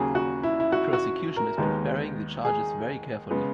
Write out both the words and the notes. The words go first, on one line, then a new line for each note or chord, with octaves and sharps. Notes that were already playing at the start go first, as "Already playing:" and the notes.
The prosecution is preparing the charges very carefully.
Already playing: D#2 C#3 F#3 A#3 G#4
F#4
E4
E4
F#4
F#4
A#4
D#2 D#3 G#3 B3
G#4
C#3 G#3 B3